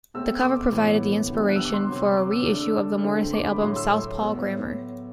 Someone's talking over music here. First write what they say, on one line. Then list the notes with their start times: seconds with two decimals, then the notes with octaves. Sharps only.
The cover provided the inspiration for a re-issue of the Morrissey album, Southpaw Grammar.
0.14 B2 A3 C4 E6
0.43 D6
0.72 A2 E3 B3
1.30 D3 G3 B3
1.49 F#6
1.56 E6
1.65 D6
1.74 C6
1.88 C3 F#3 C4
2.17 D6
2.31 E6
2.45 D3 A3 D4 E6
3.03 D3 A3 C4
3.33 D6
3.47 B5
3.61 A2 F#3 A3 C6
3.76 E6
4.20 A2 F#3 B3